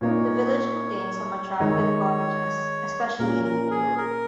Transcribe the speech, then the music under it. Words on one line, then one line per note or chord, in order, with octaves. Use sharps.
The village contains some attractive cottages especially in New Road.
A#2 A#3 D#4 C#5
D#3 G#3 D#4 C#5
A#2 A#3 C#4 A#4
A#4
G#4
A#4